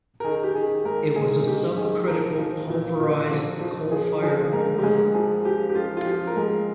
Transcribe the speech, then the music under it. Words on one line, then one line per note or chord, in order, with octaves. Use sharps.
It was a 'subcritical' pulverized coal-fired boiler.
A#4
D#3 G#4
G4
D#3 G#4
G#2 A#4
G#2 G#4
D#3 G4
D#3 G#4
F3 A#4
F3
A#2
A#2
F3
F3
F3 G#4
F3 G#4
G#2 A#4
G4
G#2 G#4
F3 G#4
F3 G4
G4
F3 F4
F4
F3 G4
A#4
G#2 G#4